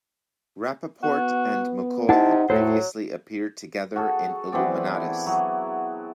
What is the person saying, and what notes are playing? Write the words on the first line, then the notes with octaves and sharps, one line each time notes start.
Rappaport and McCoy had previously appeared together in Illuminatus!
B3 F#4
C3 D#4 E4 F#5 A5
A2 F#3 A4 C5
F#4 G#4 A4
E3 B3 C4 D5
E4
F#3 F#4 G#4